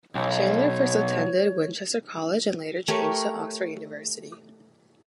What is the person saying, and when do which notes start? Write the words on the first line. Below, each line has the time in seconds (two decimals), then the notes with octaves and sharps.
Chandler first attended Winchester College and later changed to Oxford University.
0.15 B1 C#5
2.88 A3 G4 A#4 C#5